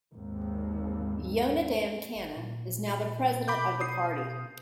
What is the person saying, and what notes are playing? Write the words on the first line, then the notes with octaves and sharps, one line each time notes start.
Yonadam Kanna is now the president of the party.
G#1 D#2
G#1
A#2
B2 B5 D6 G6
D#6 C7